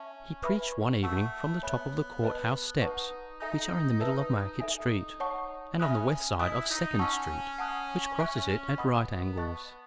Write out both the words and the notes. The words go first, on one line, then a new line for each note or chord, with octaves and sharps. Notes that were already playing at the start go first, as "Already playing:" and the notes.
He preached one evening from the top of the court house steps, which are in the middle of Market street, and on the west side of Second street, which crosses it at right angles.
Already playing: C#4 E5 A5
B4 E5 B5
A3 F#5 A5 C#6 E6
B3 C#5 E5 G#5 B5
B4 D#5 A5
D#4 B4 F#5 A5 C#6
D#4 A4 E5 G#5 D#6
B4 E5 A5 E6
D#4 A4 E5 G#5
C#5 F#5 A5 C#6
C#4 E5 B5 D#6 F#6
E4 D#5 G#5 D#6 F#6
D#4
C#4 F#5 A5 C#6 E6
F#5 A5 D#6 F#6
C#4 E5 G#5 C#6 F#6
B3 D#5 F#5 B5 D#6
D#5 A5 C#6 F#6